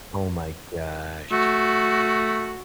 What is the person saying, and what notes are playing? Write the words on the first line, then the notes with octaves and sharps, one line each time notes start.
Oh, my gosh.
A3 F#4